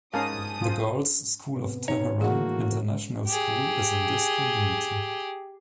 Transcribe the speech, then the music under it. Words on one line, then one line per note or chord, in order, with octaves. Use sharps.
The girls' school of Tehran International School is in this community.
G#2 C#4 A#4 F5 G#5 A5 D#6
F4 C5
C3 B3
D#4 C#5
A2 E3 A3 A#3 F#4 G#4 F#5
G4 G#4